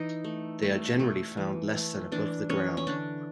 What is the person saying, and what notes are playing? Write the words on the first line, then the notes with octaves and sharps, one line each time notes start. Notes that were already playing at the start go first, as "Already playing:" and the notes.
They are generally found less than above the ground.
Already playing: E3 D#4
A3
A3
A3
E3
A3
E3 D4
E3 C#4
C#4
D3 D4